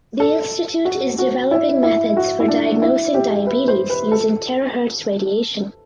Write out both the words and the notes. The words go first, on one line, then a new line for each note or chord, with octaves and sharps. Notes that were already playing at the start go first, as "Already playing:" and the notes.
The institute is developing methods for diagnosing diabetes using terahertz radiation.
A4
F#4
F#4
E4
E4
F#4
E4
D4
E4
G4
B4
C5
B4
A4